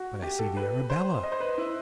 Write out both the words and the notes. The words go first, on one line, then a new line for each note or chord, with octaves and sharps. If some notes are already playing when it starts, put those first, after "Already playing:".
"But I see the Arabella."
Already playing: F#4
G4
A4
B4
C5
D#5
C5
B4
E4